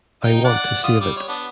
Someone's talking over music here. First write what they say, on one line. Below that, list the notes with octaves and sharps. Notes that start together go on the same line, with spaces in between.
I want to save it.
D#4 G5
D5 F#5
F4 D#6
G3 D6
C#5
B3 D4